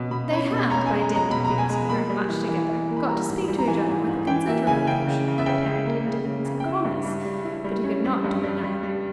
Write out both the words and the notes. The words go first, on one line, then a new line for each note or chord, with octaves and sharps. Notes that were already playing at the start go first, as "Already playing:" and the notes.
They had by dint of being so very much together, got to speak to each other with a considerable portion of apparent indifference and calmness; but he could not do it now.
Already playing: B2 C#4 D#5
B2 B5
C#4 B5
B2
B5
C#4 A#5
G#5
G#3
A#5
G#3
A#5
B2 B5
A#5
B2
G#5
G#3 A#5
A#3 B5
G3
E3
E3
E3
A#3
B5
G3 A#5
G#2
G3
A#5
E3 G#5
G#2
G#2
E3 G5
A#3 E5
C#3 G#5
C#3 G5
C#3
C#3
E5
C#3 G5
C#3
A#3
C#3
C#3
C#3
G5
E4 E5
G2
G3
G3
E4
G3
C#4
G3
G2
G3
G3
G3